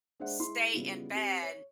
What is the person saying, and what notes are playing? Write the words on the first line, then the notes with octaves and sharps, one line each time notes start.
stay in bed,
G#3 D4 C5 E5 F#5
G#3 E4 C6
C#3 G3 B3 E4 F4
C4 G4
C#5